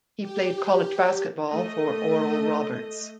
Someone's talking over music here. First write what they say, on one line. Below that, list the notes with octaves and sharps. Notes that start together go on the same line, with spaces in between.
He played college basketball for Oral Roberts.
G4
A3 D#5